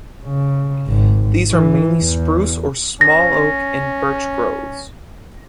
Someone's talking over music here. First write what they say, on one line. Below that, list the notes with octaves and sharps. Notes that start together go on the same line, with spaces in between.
These are mainly spruce or small oak and birch groves.
C#3
G#1
E3
E2
C#4 A#6